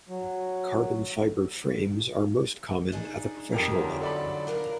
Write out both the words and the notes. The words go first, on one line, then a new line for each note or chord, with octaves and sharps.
Carbon fiber frames are most common at the professional level.
F#3
D4 D#4 G#4
F2 G4 A4 A#4
D3 F#3 F4
A4 D5 B5
D4 A#4 F5